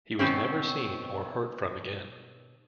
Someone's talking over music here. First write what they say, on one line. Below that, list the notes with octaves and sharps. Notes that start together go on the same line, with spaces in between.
He was never seen or heard from again.
B2 D#3 C4 C#4